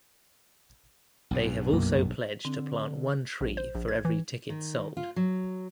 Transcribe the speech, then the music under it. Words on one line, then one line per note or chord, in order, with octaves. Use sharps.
They have also pledged to plant one tree for every ticket sold.
B1 G2 B2
F#2 A#3
D3 C4
A#1
C5
A#1
G#6
E3
D#3
F4
F#3